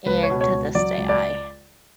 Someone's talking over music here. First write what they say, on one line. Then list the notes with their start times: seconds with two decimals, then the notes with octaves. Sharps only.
And to this day, I
0.06 C#2 B4
0.23 C#5
0.30 B2
0.41 C#5
0.52 C#2
0.75 F#3 D5
0.98 C#2
1.09 D5